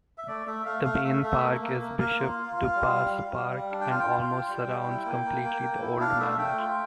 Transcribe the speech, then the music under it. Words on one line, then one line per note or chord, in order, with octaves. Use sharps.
The main park is Bishop Duppas Park and almost surrounds completely the Old Manor.
E5
A3 D5
A3 E5
A3 F5
A3 F5
A3 E5
A3 E5
A#3
A#3
A#3
A#3 F5
F4
F4
F4
G3
G3
G3
G3
G3
D4
G5
F4 F5
G5
F4
F4
G3
G3
E4
A#3
A#3
A#3
A#3
E4
D4 F5
A3 E5
A3 G5
F4